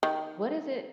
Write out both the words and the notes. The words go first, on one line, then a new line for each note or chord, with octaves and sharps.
What is it
D#3